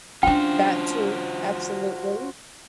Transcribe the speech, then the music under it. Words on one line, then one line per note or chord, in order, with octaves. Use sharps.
That too, absolutely.
C#4 D4 F4 F#4 C5 G5